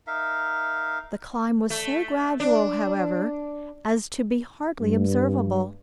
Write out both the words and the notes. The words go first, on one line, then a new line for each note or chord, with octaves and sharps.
The climb was so gradual, however, as to be hardly observable.
D#4 A#4 E5 F5
A3
D4
G2